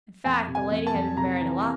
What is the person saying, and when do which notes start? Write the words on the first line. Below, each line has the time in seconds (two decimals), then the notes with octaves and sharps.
In fact, the lady had been buried alive.
0.25 F2 G#5
0.47 C3
0.55 G#5
0.71 F2
0.87 A5
0.94 F2
1.16 C3 A#5
1.40 E3